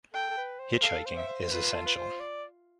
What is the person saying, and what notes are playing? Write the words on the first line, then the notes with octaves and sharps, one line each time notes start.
Hitchhiking is essential.
A4 G5
A4
B4
C5
A4 F5
C5
E5
C5
C5
F4 B4
A4
B4
C5
D5